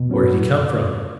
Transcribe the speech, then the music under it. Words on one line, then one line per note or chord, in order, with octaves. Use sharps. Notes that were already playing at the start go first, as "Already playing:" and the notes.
Where had he come from?
Already playing: B2
F#3 C#4 F#4 B4
F#2